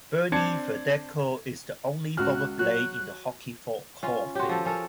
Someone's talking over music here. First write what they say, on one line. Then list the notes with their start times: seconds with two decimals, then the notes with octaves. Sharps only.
Bernie Federko is the only former Blade in the Hockey Hall of Fame.
0.32 C4 D4 A5 G#6 C#7
2.17 C#2 F#4 F6 F#6
2.59 F#3 F#4 F#6
4.03 C#4 F4 C#5
4.35 F#4 G4 C#5 C6
4.49 F3 A4
4.65 C#4 A4 A#4